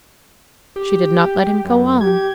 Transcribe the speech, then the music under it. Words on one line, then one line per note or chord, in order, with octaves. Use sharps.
She did not let him go on.
G4
F#2
G4 G#6